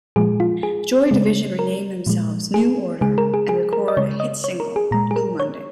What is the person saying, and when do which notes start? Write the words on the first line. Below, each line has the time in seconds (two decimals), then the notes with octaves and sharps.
Joy Division rename themselves New Order and record a hit single, "Blue Monday".
0.16 A#2 F3 G#3 G#4
0.40 F4
0.63 G#4
1.11 C#3 G#3
1.59 A#4
2.07 A#2 F3 G#3
2.54 G#4
3.01 C#3 G#3 G#4
3.18 A#4
3.34 G#4
3.49 G#4
3.73 A#4
3.88 D#5
3.97 C#3 G#3 C#5
4.20 D#5
4.44 C#5
4.60 A#4
4.76 G#4
4.91 A#2 G#3 A#5
5.11 G#4
5.16 A#4
5.40 C#5